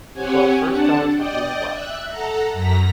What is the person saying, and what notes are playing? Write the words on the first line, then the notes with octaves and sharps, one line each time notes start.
The club's first colors were blue and black.
C4 G4 C#5 F#5 G#5
D4 F#5 A5
D5 D#5 G5
E5 F#6
A4 F#5 A#5
F#2 A#5 A#6 B6